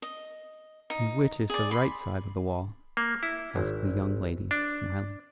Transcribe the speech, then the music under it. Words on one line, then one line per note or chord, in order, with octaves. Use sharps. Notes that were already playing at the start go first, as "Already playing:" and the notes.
"And which is the right side of the wall?" asked the young lady, smiling.
D#5
D#4
G#4 D5
B5 C6
A#3
E4
G#1
D4